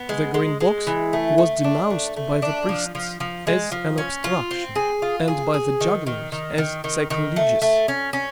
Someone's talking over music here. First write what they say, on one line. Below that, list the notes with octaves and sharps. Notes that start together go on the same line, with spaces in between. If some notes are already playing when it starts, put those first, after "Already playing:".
The Green Box was denounced by the priests as an obstruction, and by the jugglers as sacrilegious.
Already playing: B3
G#3
G#3
G#3
E3
A3
A3
D4
A3
A3
D4
F3
F3
F3
G#3
F3
C#4
F4
C4
G#4
F4
G#4
G#4
D#3
D#3
D#3
D#3
D#3
D#3
A3
A3
C#4
C#4